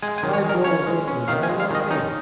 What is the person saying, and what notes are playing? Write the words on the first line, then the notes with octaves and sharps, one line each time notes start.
The side door was open and I walked in.
G#3 G#5
G#5
D#3
C#5
G#3
A#4
C#4 C#5
G#3
C#4
D#3 F5
G#5
G#3
F5
D#3 D#5
C#4 D#4